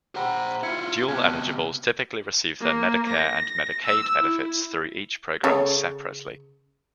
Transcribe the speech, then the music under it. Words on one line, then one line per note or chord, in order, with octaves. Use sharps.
Dual-eligibles typically receive their Medicare and Medicaid benefits through each program separately.
C5 F#5 G5 A#5 B5
E4 F4 G#6 C#7
C3 B3 A5 F6 G#6
A#3
A#6
E6
E4
C#3 A4 C#5